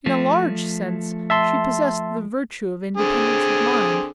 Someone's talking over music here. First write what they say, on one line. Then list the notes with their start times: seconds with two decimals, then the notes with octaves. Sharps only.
In a large sense she possessed the virtue of independence of mind.
0.06 F3 A3
1.30 E5 A5 C6
2.97 D3 C4 G#4